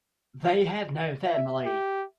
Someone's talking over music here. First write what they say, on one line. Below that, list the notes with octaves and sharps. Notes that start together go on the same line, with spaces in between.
They had no family.
E5
G4